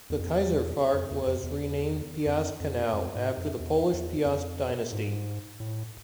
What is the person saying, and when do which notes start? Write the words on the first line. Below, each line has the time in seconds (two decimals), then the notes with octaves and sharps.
The "Kaiserfahrt" was renamed "Piast Canal", after the Polish Piast dynasty.
0.10 E2
0.19 F2
0.27 E2
0.93 F2
1.11 E2
1.26 F2
1.43 E2
2.26 F2
2.60 F2
2.92 F2
3.15 G#2
3.37 F2
3.60 E2
3.93 E2
4.26 F2
4.92 G#2
5.60 A2